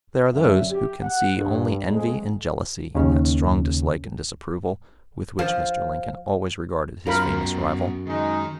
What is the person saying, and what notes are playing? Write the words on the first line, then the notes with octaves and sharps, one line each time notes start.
There are those who can see only envy and jealousy in that strong dislike and disapproval with which Mr. Lincoln always regarded his famous rival.
F#2 D3 F#3 E5
G4
F#5
G2
F2 G#3
D#2 C#3
F3
F#2 B3 F4 A#4 G5 A#5 B5
D#3 G#3 D#4 D#5